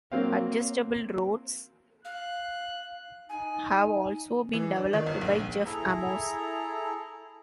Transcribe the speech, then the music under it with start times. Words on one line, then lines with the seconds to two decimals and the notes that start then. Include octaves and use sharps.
Adjustable rods have also been developed by Jeff Amos.
0.12 F#3 A#3 C4 F5
2.05 F5 F#6
3.29 D#4 G#5
4.53 E3
4.76 D4
4.93 D#3
5.06 G1
5.21 A#1
5.65 E4 G#4 A4 A#5